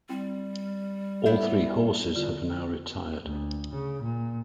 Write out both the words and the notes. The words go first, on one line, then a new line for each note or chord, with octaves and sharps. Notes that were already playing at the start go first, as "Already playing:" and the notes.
All three horses have now retired.
G3 C4 E4 G5
B3 D4 E4 C#5 G6
D3 F4 D5
D2
C#3
A#2